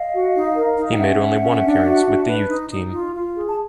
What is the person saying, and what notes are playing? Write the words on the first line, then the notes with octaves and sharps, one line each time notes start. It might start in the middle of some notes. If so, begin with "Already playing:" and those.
He made only one appearance with the youth team.
Already playing: D#5 F5
F#4
D#4
A#4
D#4
G5
C#4 E5 F#5
C#4
C#4
D4
F#4
D4
B4
D#4
D#4
F4
F4
G#4
A5